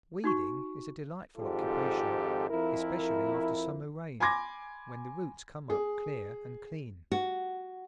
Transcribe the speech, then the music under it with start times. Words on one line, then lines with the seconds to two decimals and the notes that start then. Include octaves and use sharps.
Weeding is a delightful occupation, especially after summer rain, when the roots come up clear and clean.
0.24 D#4 F#4 C#6
1.38 G#1 F2 G#2 F4 G4 A4
2.50 F2 E4 A#4
4.20 G#5 B5 C6 D6 G#6 A#6
5.70 G#4
7.12 F#4